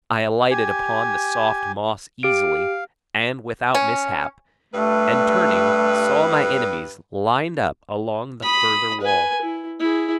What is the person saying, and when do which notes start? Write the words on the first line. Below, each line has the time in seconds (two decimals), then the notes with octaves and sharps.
I alighted upon the soft moss easily and without mishap, and turning saw my enemies lined up along the further wall.
0.51 G4 G#5
2.23 G4 F5 D7
3.75 C#4
4.74 G2 G3 A3 B4
8.42 B5 D#6
9.01 B4 G#5
9.42 E4
9.80 E4 G#4